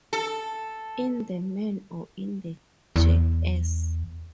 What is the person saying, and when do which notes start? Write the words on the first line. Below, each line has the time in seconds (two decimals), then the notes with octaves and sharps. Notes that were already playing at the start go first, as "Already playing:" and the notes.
In the man or in the jackass?
0.13 A4
2.96 E2